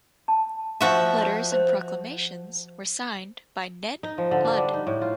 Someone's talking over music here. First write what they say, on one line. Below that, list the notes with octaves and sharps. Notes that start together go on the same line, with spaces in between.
Letters and proclamations were signed by "Ned Ludd".
A5
F3 F#4 E5
C5
D#4
F3
D3
D4
G3
D#4
A2
F4